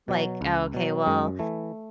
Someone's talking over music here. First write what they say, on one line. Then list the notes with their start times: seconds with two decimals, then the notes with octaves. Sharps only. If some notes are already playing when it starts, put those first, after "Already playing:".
like, oh, okay, well,
0.08 B2 F#3
0.41 C#2
0.74 B2 F#3
1.06 F#2 G#3
1.39 E3 A3